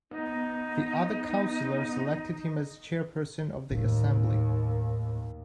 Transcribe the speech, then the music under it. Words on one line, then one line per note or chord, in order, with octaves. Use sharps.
The other councillors elected him as chairperson of the assembly.
B3 D#4
D#2 A2